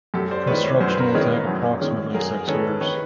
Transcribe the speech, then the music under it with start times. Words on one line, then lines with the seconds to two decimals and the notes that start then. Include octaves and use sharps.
Construction will take approximately six years.
0.14 F#2 G4 A4
0.31 C5 D5
0.47 D#3 G#3 C#4 B4 C#5
0.64 B4 C#5
0.81 F#2 C5
0.90 B4
0.99 A#4 C5
1.14 D#3 G#3 C#4
1.47 F#2
1.81 D#3 G#3 C#4
2.14 F#2 G#4 A#4
2.47 D#3 G#3 C#4 A4 B4
2.81 D#3 B4 C#5